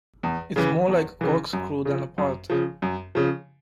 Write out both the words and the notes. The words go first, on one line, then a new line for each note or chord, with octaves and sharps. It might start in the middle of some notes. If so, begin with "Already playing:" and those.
It’s more like a corkscrew than a path!
E2
C#3 E3
E2
C#3 E3
F#2
C#3 F3
F#2
C#3 F3
F#2
C#3 F3